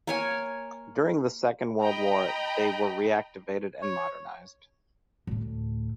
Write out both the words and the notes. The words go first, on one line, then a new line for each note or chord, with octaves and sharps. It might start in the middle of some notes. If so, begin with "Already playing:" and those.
During the Second World War they were reactivated and modernised.
A#3 C#5 G#5
D#5 G5 A#5 B5
C#5
D2 A2